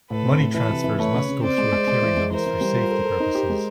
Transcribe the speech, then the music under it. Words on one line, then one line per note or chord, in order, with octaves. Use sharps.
Money transfers must go through a clearinghouse for safety purposes.
A2 A4 B4
C4
A2
E3 A4 B4
C3
E3
A3 B4 C#5
C#3
C#3
C4 C5 D5
G#3
G#3
G#3
E3
G#3
E3 A#4 C5
E3
G3
F4
A4
A4
D#4
G4
G#3